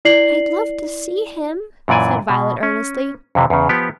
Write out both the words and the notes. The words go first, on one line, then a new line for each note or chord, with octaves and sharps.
"I'd love to see him," said Violet earnestly.
E4 D5 C7 F#7
F#2 A#2 E3 D5 G#5
B2
C#4
F2 C3 E3
E2 C#3
F3 B3 G4